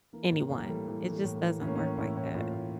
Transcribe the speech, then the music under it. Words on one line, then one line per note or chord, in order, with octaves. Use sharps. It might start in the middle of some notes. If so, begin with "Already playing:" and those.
anyone. It just doesn't work like that.
E3 A#3
A2 A#3
A2 A#3
G3
E3 A3
E3 G3
E3
A3
A2
A#3
E3
A2 C#4
A#3
A2 C#4
A2 E4
A2
A2 F4
A2